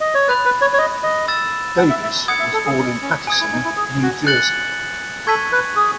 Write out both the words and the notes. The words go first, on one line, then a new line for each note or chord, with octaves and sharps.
Davis was born in Paterson, New Jersey.
D#5
C#5
B4 B5 D#6 F#6 A6
B4
C#5
C#5
D#5
D#5
E6 A6 E7
F#5
E5
E5
F#5 D#6 G#6 C#7
E5
A4
G#4
C#4
C#4
G#5 D#6 G#6
E4
D#4
E4
G#4
F#4
F#6 A6 C#7 F#7
A4 C#6 G#6 B6 D#7 F#7
B4
G#4